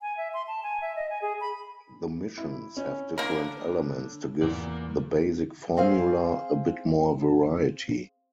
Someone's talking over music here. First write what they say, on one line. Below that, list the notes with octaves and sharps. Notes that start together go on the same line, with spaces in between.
The missions have different elements to give the basic formula a bit more variety.
G#5
E5
C6
A5
G#5
E5
D#5
G#5
G#4
B5
E4
C#4
D3 A#3 D4 A#4
E2 A#3 D5
C4 G#4 F5